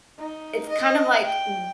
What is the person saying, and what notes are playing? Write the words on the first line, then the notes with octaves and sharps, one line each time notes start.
it's kind of like, m
D#4
D#5
G5